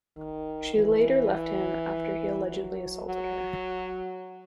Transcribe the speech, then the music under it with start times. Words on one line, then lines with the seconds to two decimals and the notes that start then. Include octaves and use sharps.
She later left him after he allegedly assaulted her.
0.17 D#3
0.74 E3
2.47 F#3
3.05 F#3